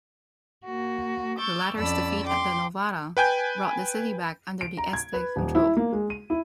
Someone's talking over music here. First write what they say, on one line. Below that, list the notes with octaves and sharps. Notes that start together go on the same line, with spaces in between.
The latter's defeat at the Novara brought the city back under the Este control.
A#3 F#4
C#6 D6 E6 G6 A6
F2 C#4 D5 A5 B5 E6
G5 C6 D6
B4 G5 G#5 G6
D7
A#5
G#6
B4
D#1
E4
A#3
G#3
D#7
E4